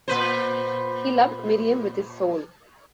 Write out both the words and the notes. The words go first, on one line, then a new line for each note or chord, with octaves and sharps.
He loved Miriam with his soul.
A#2 B4 C5